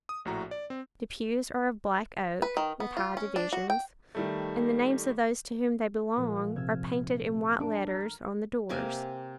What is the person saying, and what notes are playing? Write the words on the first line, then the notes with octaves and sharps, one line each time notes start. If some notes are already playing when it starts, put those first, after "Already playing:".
The pews are of black oak, with high divisions; and the names of those to whom they belong are painted in white letters on the doors.
D#6
A#1 A2 F#4 A#5
D5
C4
B4
D#3
B3
F4
C#4
D4
F#4
G5
D#3 G3 A3
A#2 F3 G#3
C3 E6 F6 G#6
D4 A4 D7
A#5 F6 A#6
C3 A#3 G#5